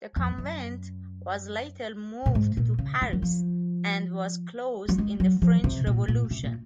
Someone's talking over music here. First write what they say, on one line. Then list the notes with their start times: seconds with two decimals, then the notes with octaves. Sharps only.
The convent was later moved to Paris and was closed in the French Revolution.
0.16 F2
0.38 F#2
2.26 A#2
2.35 G#2
2.57 A#2
2.79 C#3
3.02 D#3
3.13 F#3
3.22 F3
4.89 F#3
4.98 G#3
5.20 F#3
5.42 F3
5.64 C3
5.87 A#2
6.08 A#2
6.31 C3
6.44 A#2